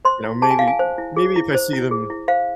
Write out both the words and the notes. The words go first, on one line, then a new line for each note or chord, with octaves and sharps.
you know, maybe maybe if I see them
C5 C6
E4
G#4 A5
G#5
E4 F5
G#5
C5
E4
G#4
E4
C5
E4
G#4
E4
C5 F5